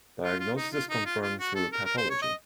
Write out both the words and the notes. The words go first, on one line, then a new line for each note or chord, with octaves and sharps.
Diagnosis is confirmed through pathology.
F4
F4
D#4
F4
D#4
F4
F4
F#4
A4
A#4
A#4
C5
C#5
D#5